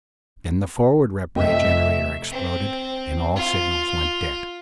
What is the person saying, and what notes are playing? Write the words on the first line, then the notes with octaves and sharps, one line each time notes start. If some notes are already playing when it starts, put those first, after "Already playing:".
Then the forward rep-ray generator exploded, and all signals went dead.
F2 C3 A3 D#5 E5 G5
C4
F4